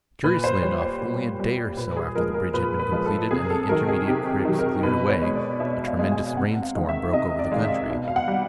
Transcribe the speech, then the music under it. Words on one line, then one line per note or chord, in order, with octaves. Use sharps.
Curiously enough, only a day or so after the bridge had been completed and the intermediate cribs cleared away, a tremendous rain-storm broke over the country.
A#2 B4
C5
G3 C#5
C5
A#2
G3
A#2 B4
G#4
F3 G#3 A#4
A#4
A#2 B4
B4
F3 G#3
A4
C3 G#4
A#4
A4
D#3 F#3 A#4
G#4
C3 G4
D#3 F#3
A#4
B2 B4
C#5
G#3
D5
B2 E5
F5
G#3
G#5
C3 F#5
F5
D#3 G#3
E5
C3 D#5
D5
D#3 G#3 F5
E5
B2 F5
F5
F#5
G3